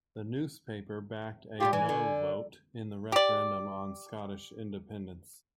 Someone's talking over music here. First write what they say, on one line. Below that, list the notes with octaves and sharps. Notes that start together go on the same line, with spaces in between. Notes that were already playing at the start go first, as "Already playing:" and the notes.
The newspaper backed a 'No' vote in the referendum on Scottish independence.
G3 E4 F4 G4
E3 G#5
D3
G4 D5